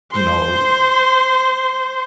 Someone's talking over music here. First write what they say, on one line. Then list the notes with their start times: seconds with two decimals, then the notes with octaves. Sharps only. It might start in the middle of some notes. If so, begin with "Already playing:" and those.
you know,
0.12 C5 C6